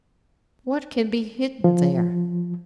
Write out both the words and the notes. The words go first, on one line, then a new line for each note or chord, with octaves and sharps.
What can be hidden there?
F3